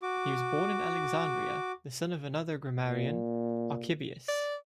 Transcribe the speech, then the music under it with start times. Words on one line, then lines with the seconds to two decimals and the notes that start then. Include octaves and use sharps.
He was born in Alexandria, the son of another grammarian, "Archibius".
0.02 F#4 D6
2.79 A#2
4.28 D5